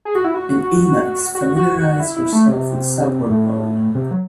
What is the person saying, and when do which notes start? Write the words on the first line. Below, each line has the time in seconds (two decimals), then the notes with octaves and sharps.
In Emacs, familiarize yourself with subword mode.
0.05 G#4
0.15 F#4
0.24 E4
0.34 F#4
1.35 F#4
1.56 F#4
1.79 F#4
2.00 E4
2.17 E4
2.33 A3
2.48 C3
3.30 A2
3.95 C3
4.11 F#3